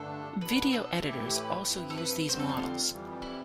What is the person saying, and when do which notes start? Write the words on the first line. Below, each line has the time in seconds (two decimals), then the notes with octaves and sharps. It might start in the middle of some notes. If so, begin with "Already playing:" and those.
Video editors also use these models.
Already playing: G2 D3 A3 D4 A4
0.41 B2 B3 D4 B4
0.73 A4
1.04 A2 E3 A3 E4 G4
1.35 B4
1.66 G2 F3 C4 E4
1.90 A4
1.98 B4
2.29 F2 D3 G3 C4 C5
2.39 A4
2.49 F4
2.91 F2 E3 G3
3.22 E4